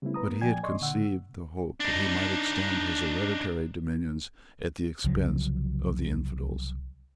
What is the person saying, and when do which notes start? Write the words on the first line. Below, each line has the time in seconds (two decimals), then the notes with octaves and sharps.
But he had conceived the hope that he might extend his hereditary dominions at the expense of the Infidels.
0.02 C#3 G3 A3 B3 C4 E4
0.14 B4 A#5 D#6
0.27 A#3 B3
0.41 A#2 F3 D5 G5 G#5 G#6
0.63 D5 D#5 C6 C#6
0.81 A#2 D3 F#5 E6
1.80 D4 D#4
5.04 C2 C#3 F3 F#3